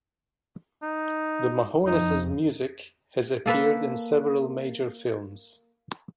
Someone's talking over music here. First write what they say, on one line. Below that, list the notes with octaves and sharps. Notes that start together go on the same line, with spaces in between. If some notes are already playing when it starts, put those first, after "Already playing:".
The Mahones' music has appeared in several major films.
D#4
F2 D#4
A#3 A4 B4